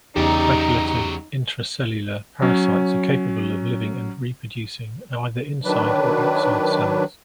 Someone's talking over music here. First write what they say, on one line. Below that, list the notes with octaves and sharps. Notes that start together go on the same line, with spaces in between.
Facultative intracellular parasites are capable of living and reproducing either inside or outside cells.
E2 C#3 F#3 D#4 G4 D5 A#5
F#3 C#4
D#3 F#3 D4 B4